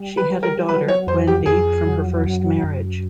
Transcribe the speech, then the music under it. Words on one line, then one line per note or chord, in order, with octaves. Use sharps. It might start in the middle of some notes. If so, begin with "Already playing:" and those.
She had a daughter, Wendy, from her first marriage.
Already playing: G3
B4
G3
A#4
F#3 B4
C#5
F2 C5
G4
F2 G#4
F#3
F#2
F#2